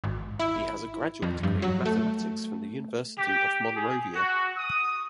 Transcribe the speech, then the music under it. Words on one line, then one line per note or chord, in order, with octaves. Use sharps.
He has a graduate degree in Mathematics from the University of Monrovia.
G#1
E4
F2
G2
F#3
A3
G4
G#4
F#4
D#6